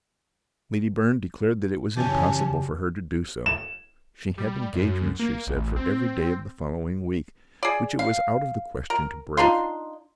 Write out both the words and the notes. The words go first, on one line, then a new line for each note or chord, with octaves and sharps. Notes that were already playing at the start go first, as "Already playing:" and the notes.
Lady Byrne declared that it was impossible for her to do so: she had engagements, she said, for every day of the following week, which it was out of the question to break.
F#2 C#3 E3 C#4 G4 D5 G#5 A5
E7
G3
F#2
A#3
A1
C4
G#4 D5
F5
A#4
D4 D#4 F4 C6